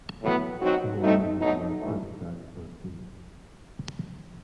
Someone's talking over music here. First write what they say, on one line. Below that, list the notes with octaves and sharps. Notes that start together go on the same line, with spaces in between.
Football managers devise the perfect strategy for their team.
A2 F#3 B3
F#2 F#3 C4 D#4 F#4
B2 A3 C4 D#4
B2 F#3 A3 D#4
G2 E3 A3